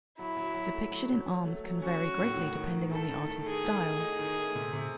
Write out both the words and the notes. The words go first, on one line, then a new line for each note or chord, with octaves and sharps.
Depiction in arms can vary greatly depending on the artist's style.
F#3 E4
F#3
F#3
A3
F#3
F#3
F#3
A3
F#3
C#4 F#4
C#4
A2
D#3
D#3
D#3
A3 A4
D#3
A3
D#3 G#4
A3
A3
D#4
D#3
A3
C3
C3